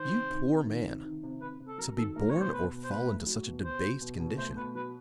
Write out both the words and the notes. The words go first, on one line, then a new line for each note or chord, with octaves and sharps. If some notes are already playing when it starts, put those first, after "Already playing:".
You poor man, to be born or fall into such a debased condition.
Already playing: D#3 C5
C3
D#3
C3
D#3
C3
D#3
C3
C3 B4
C3
A4
F#3 A#4
D#3 A4
A3 A#4
B2 C#5
C5
B2 B4
B2
C5
A3 B4
A3
F#3
B2
B2 C5
F#3
B2
B2
A3 C5
B2 B4
F#3 B4